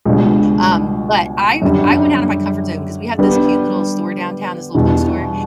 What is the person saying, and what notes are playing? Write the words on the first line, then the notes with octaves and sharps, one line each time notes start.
Um, but I w I went outta my comfort zone 'cause we have this cute little store downtown, this little bookstore,
C#2 B2 G3 D4
F#2 D3 G3 C#4
D3 G3 B3
E2 B2 G3